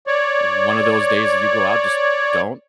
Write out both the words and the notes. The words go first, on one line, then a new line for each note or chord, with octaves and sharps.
o one of those days that you go out, just don't
C#5 D5